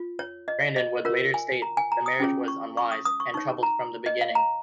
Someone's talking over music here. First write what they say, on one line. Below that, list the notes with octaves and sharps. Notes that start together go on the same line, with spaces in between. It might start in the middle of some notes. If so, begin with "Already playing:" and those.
Branden would later state the marriage was unwise, and troubled from the beginning.
Already playing: F4
C#5
D#5
D#5
F4 A#4 C#5
G#5
A#5
G#5
A#5
D#6
C#4 F4 G#4 C#5
C#6
C#6
D#6
D#6
C#6
D#4 C#5 C#6
A#5
D#5
F5
A#5